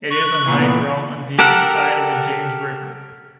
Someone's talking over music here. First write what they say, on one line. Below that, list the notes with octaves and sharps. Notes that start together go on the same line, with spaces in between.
It is on high ground on the east side of the James River.
C#6 F#6
A#2 E3 B3
G4 A4 A#4 F#5